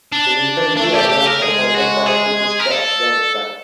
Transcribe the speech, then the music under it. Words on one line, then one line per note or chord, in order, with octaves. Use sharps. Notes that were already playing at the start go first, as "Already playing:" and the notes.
The infantry attacked the Khyber Pass to push the Afghans back.
D4
A3 D4
G4
G4
A#4
G#3 G#4
F#4
G#4
A#4
A4